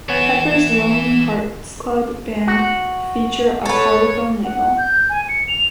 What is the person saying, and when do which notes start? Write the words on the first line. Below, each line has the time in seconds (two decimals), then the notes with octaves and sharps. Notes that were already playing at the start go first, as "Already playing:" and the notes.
Pepper's Lonely Hearts Club Band feature a Parlophone label.
0.09 E3 B3 C#5 G#5 E7
2.47 F#4
3.65 A4 B4 C#5
4.44 F#5
4.77 G6
5.09 G#5
5.28 C#7
5.47 F7